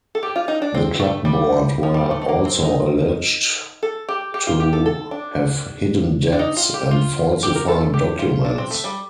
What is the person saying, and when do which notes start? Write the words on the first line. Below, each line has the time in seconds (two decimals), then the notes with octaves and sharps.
The club board were also alleged to have hidden debts and falsified documents.
0.15 A4
0.23 G4
0.36 F4
0.48 D#4
0.62 D4
0.75 C4
1.00 A3
1.25 G3
1.83 F3
1.94 G3
2.11 A3
2.21 A3
2.28 A#3
2.45 C4
2.62 D#4
3.83 A4
4.09 G4
4.34 G4
4.47 F4
4.60 G4
4.73 A4
4.86 A4
5.11 D4
6.32 D4
6.39 D#4
6.57 F4
6.74 G4
6.91 F4
7.43 G4
7.55 A#4
7.68 A4
7.81 A4
7.94 G4
8.19 F4
8.45 D4
8.58 C4
8.71 A3
8.84 G3